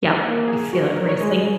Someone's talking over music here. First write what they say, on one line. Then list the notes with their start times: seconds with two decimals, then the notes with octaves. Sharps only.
Yep. You feel it racing?
0.24 A#3 F#5
0.48 G#4
0.73 F#4
0.97 A#4
1.09 C#5
1.20 G#3 D#5